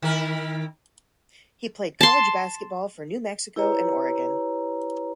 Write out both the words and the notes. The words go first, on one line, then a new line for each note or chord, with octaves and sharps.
He played college basketball for New Mexico and Oregon.
D#3 E4 A#4
A5 C6
E4 G4 B4 C#5 A#5